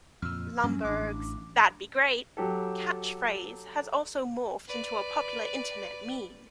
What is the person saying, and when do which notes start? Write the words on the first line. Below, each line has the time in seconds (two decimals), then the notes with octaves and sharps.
Lumbergh's "that'd be great" catchphrase has also morphed into a popular internet meme.
0.22 F2 A#2 E6 F6
0.63 G2 F#3 C#4
0.85 A1 D4 D6
2.37 F#3 G4 A4
4.68 B4 D5